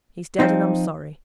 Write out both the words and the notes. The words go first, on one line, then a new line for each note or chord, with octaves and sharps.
He's dead, and I'm sorry.
F3 C4 D#4